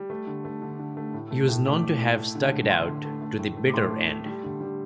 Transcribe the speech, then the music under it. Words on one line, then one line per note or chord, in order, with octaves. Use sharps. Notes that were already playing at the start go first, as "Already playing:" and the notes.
He was known to have stuck it out to the bitter end.
Already playing: G3
A3
D3
A3
D3
D3
A3
A2
A3
A2
A3 D6
A2
A2
A3
D3
A3
D3 C6
D3
A3
A3
A2
A3
D6
A2 C6
A3
A3
G3
D3
G3